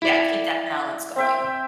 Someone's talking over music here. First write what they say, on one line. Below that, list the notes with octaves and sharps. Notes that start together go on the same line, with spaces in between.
yeah, keep that balance going,
E4 D5
C4 E5 G5